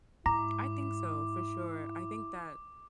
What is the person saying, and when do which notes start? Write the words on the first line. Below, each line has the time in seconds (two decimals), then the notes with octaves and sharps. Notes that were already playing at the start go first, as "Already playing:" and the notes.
I think so for sure, I think that
0.26 G#2 E4 A#5 D6